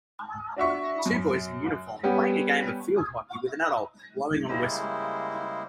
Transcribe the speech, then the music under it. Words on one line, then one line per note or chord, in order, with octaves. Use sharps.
Two boys in uniform playing a game of field hockey with an adult blowing on a whistle.
D4 F#4 E5 C#6
F#2
G3 B3 C#4 G4
C#3 G3 G#3 A#3 E4 C5